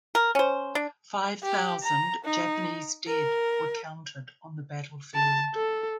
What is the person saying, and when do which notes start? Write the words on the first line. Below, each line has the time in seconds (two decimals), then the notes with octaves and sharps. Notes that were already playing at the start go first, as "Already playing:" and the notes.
Five thousand Japanese dead were counted on the battlefield.
0.15 A#4
0.35 C#4 C5
0.75 D4
1.43 G4
1.83 A#5
2.25 D#4
3.07 A#4
5.15 A5
5.54 A4